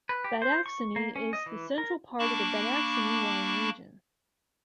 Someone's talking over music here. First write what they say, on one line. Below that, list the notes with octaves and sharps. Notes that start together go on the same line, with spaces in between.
Badacsony is the central part of the Badacsony wine region.
B4
G4
C5
C#6
A#3
C#4
D#5
E3
A#4
A#3 D4 A5 B5 C#6 D6